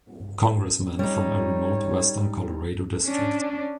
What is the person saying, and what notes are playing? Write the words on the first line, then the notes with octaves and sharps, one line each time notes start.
Congressman from a remote Western Colorado district.
G3 D#4 C#5
C#4 D4